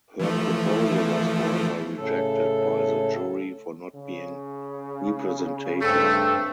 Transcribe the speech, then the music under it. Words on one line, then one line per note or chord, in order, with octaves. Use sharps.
Her proposal was however rejected by the jury for not being representative.
E3 F3 A3
A2 C#3 A4
C#3
G2 A3 C4 A4